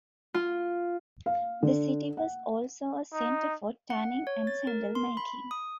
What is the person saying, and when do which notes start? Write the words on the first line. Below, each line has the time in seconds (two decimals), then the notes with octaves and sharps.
The city was also a center for tanning and sandal making.
0.34 F4
1.26 F5
1.63 D3
2.17 F#5
3.13 D#4
3.90 F#5
4.27 C#5
4.47 A6
4.67 A#4
4.95 C6
5.17 B5
5.51 D#6